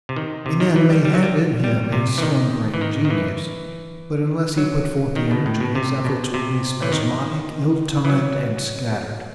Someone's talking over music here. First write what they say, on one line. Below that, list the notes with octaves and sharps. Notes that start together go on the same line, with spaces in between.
A man may have in him a 'slumbering genius,' but unless he put forth the energy, his efforts will be spasmodic, ill-timed and scattered.
C3
D#3
C3
D#3
E3
G3
G3
F#3
G3
G3
C3
E3
D#3
E3
D#3
D#3
E3
F#3
D#3
B2
A2
B2
C3
B2
C3
E3
D#3
E3
F#3